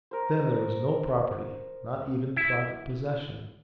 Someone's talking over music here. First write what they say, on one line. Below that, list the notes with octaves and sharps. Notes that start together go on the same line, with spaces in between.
Then there was no property, not even private possession.
A#4 C5
E4